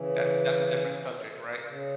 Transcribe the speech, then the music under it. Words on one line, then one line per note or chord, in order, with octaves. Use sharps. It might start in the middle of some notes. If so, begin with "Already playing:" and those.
That's that's a different subject, right?
Already playing: C#3 E3
C#3